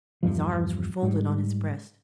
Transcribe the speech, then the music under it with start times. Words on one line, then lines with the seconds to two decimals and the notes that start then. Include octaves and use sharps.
His arms were folded on his breast.
0.23 E2 G2 F3
1.03 G#2 G3